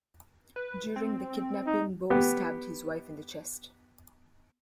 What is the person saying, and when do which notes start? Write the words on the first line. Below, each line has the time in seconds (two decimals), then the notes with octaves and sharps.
During the kidnapping, Bowe stabbed his wife in the chest.
0.56 B4
0.96 C4
1.66 D#4
2.10 B3 G4